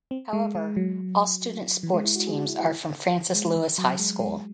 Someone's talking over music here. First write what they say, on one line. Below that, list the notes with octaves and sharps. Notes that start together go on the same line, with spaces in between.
However all students sports teams are from Francis Lewis High School.
C4
G#3
G#3
F#3
E3
G#3
E4
F#4
G#4
F#4
E4
E4
G#3
E3
F#3
G#3
G#3